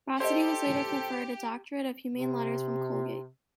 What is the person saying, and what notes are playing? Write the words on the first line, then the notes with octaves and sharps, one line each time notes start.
Bossidy was later conferred a doctorate of Humane Letters from Colgate.
G4 A4 C5 D5 D#5
C3